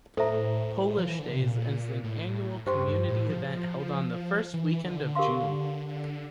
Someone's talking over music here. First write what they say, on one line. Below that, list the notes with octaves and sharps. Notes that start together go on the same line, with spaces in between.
"Polish Days" is an annual community event held on the first weekend of June.
A2 A4 C5 E5 A#5
F3
E3
D3
C3
A#2
A2
G2 G4 C5 G5 C6
G2
A2
F3
E3
D3
G4 A#4 F5 C6